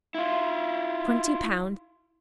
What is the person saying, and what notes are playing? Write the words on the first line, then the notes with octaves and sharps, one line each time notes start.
Twenty pounds!
E4 F4